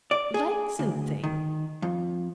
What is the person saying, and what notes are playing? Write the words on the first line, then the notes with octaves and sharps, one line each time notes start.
Legs and things!
D5
G#4
D2
D#3
F2